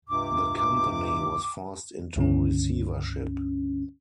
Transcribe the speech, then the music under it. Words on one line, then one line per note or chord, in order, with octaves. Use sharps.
The company was forced into receivership.
C#2 G2 C3 D6
C#2 G2 D3 C#4